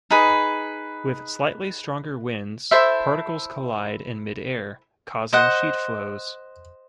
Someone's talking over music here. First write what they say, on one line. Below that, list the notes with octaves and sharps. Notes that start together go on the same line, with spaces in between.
With slightly stronger winds, particles collide in mid-air, causing sheet flows.
D#4 G#4 B4
E4 A4 C5 E5
C5 D#5 F#5